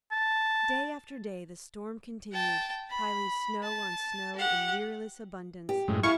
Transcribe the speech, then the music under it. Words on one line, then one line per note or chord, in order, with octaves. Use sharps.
Day after day the storm continued, piling snow on snow in weariless abundance.
A5
G5 A5
B5
A5
G4 F#5
G4
F#2 A2 G#3
E4 F5 G#5 C#6